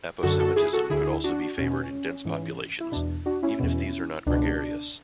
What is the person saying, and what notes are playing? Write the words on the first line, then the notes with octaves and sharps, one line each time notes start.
Aposematism could also be favoured in dense populations even if these are not gregarious.
F#2 D3 F#4 A4
F#4 A4
E4 G#4
F#4 A4
D2 D3 E4 G#4
D4 F#4
E2 B2 C#4
G#2 E3
E4
E2 B2 D4
D4 F#4
C#4 E4
E2 B2
C#2 B2 D4